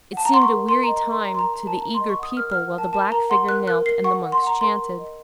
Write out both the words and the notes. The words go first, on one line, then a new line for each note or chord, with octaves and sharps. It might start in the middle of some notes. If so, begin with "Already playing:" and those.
It seemed a weary time to the eager people while the black figure knelt and the monks chanted.
F#5 A5
A#5
F#5 C6
C#6
A#4
A#4 C6
D#5 A#5
A#5
A#4 C6
A#4 A#5
C6
A#4 A#5
A#5
A#4 A5
A#4 A#5
C6
D#5
C#6
F#5 D#6
A#4 F6
F#5 F6
A#4 A5
A#4 A5
A#4 A#5
F#5 C6
A#4 F#6
A#4 F#6
A#4 C7
F#5 C#6
F#5
C6
F#5 A#5
A#4 C6
A#4
D#5